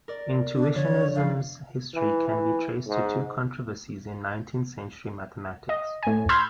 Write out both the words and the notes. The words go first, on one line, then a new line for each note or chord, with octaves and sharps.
Intuitionism's history can be traced to two controversies in nineteenth century mathematics.
A#4 D5
D4
D3 F3 D4 C#5
E3 F3 D4 F5
E3
E3
G#2
D#5
A2 G#5
B5 C6 E6 F6 G6 G#6